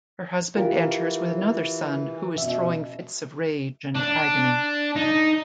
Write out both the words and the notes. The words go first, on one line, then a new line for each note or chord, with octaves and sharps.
Her husband enters with another son who is throwing fits of rage and agony.
E3 F4 G4 A#4
B2 C#4 E5
D4
D#4